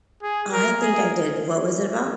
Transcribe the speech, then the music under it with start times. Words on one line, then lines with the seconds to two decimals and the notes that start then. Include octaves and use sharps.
I think I did. What was it about?
0.23 G#4
0.52 A#4
0.81 G#4